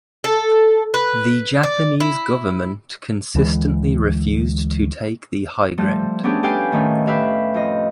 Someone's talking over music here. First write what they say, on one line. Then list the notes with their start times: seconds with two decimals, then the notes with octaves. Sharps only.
The Japanese government consistently refused to take the high ground.
0.24 A4
0.94 B4
1.63 D5
2.00 E4
3.35 D2 E3 G#3
5.78 F3 G3 A3
6.23 A3 B3 C#4 D4 G4 G#4
6.43 G4 A4 B4 F5 G5 G#5
6.72 A2 D#3 A3 C#4
7.07 G4 B4 E5 F5
7.54 F2 F4 D#5